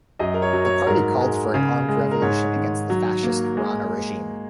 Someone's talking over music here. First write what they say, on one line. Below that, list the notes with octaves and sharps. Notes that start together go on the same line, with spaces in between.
The party called for an armed revolution against the fascist Rana regime.
F#2 D#5
A#4
C#5
F#3
C#5
G#2 A#4
G#3
C#3
G#3
A#4
G#2 C#5
D#3
F#3
A#3
G#3